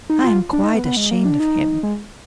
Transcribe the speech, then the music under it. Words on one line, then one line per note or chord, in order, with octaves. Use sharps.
I am quite ashamed of him.
D#4
F4
D4
D#4
B3
B3
G#3
A#3
D4
D#4
G#3